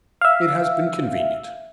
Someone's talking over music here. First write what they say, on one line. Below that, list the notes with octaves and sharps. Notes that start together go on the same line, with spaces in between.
It has been convenient.
E5 F5